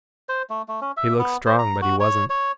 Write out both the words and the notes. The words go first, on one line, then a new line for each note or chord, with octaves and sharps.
He looked strong, but he wasn't.
C5
A3
A3
C#4
E5
B3
C5
A#5
F#4
C#5
C#5